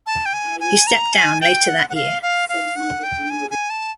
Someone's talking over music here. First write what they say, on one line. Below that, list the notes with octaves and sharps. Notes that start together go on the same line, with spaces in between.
He stepped down later that year.
A5
G5
G#5
G#5
A#5
G#5
G5
F#5
F#5
F5
F5
F5
F#5
G5
G#5
G#5
A5